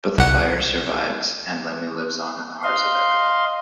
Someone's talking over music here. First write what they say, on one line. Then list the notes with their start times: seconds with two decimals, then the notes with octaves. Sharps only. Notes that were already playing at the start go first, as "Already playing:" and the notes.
But the fire survives, and Lemmy lives on in the hearts of everyone.
0.18 C2 F#5
2.63 D#5 F5 C6